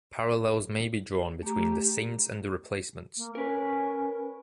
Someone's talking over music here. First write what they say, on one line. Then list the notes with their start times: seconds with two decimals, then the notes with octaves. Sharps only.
Parallels may be drawn between The Saints and The Replacements.
1.43 A3 G4 A#5
3.17 A#3
3.35 C#4 A#4 B4